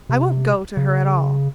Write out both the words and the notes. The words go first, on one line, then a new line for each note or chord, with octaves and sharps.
I won't go to her at all.
C3
C#3